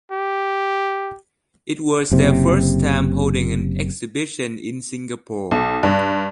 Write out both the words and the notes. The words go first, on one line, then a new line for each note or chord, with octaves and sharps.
It was their first time holding an exhibition in Singapore.
G4
F#1 C3
B1
G2